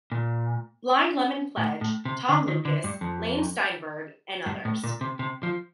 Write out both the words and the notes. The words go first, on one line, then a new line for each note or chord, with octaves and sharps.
Blind Lemon Pledge, Tom Lucas, Lane Steinberg, and others.
A#2
A2
A2
C3
D3
D#3
D3
G2
F2
G2
A2
A#2
C3
C3
F3